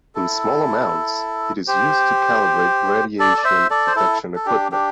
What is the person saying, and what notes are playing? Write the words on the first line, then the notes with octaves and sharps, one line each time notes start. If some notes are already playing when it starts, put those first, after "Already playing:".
In small amounts, it is used to calibrate radiation-detection equipment.
E4 A4
G4 C5
A4 D5
D5
C5 E5
A4 D5
C5
E4 A4
A4
D4 G4
D4 G4